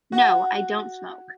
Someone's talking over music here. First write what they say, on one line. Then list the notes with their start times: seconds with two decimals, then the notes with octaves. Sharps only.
No, I don’t smoke.
0.12 F#4